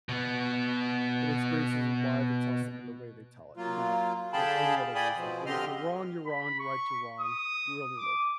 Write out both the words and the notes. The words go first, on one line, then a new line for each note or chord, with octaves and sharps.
but the experiences of why they tell someone the way they tell it, not for any other reason. And if you're wrong, you're wrong, you're right, you're wrong, we only live.
B2 B3
F#3 A#3 F4
D3 G#4 F5 G5 A5 B5
D5 G5 G#5 B5 D#6
B2 F3 C4
D3 C4 G4 D#5 C6 F6
B5
C#6
D#6
D6